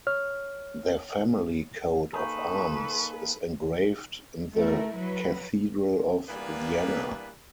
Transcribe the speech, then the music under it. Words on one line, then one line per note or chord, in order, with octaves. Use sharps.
Their family coat of arms is engraved in the Cathedral of Vienna.
C#5 F6
A#3 D#4 G#4 A4 B4 C#6
A3 E4 A#4
F#3 B4
E3 G3 A#3 B3 D4 B4